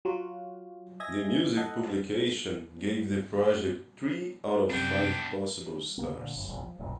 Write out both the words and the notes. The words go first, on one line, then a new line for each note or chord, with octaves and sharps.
The music publication gave the project three out of five possible stars.
F#3 F4 F#4
D#5 E5 G#5 G#6 A#6
A4 D#5 F#5
F#2 C3 B3 D4 G5
E2 C#3 A#3 B3
A#2 D3
G1 F#2
F1 A#1 E2
F3
E1 B1 F#2 A#2